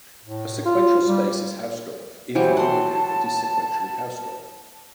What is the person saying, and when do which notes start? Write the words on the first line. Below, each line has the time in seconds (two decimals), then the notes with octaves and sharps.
A sequential space is Hausdorff if and only if it is sequentially Hausdorff.
0.24 A2
0.65 F4
1.07 G3
2.35 E3 F#3 G3 C5
2.57 F#5 A5 C6